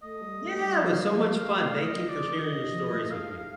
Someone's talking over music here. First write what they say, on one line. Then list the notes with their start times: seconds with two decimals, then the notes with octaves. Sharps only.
Yeah, it was so much fun. Thank you for sharing your stories with me.
0.02 A3 D#5
0.21 G3
0.41 A3
0.60 G3
0.79 F3 F5
0.99 G3
1.18 F3
1.38 A3
1.57 A3 F5
1.83 D#5
1.96 F3
2.09 D5
2.34 D#3 D#5
2.54 C3
2.73 F3
2.93 A3
3.11 F5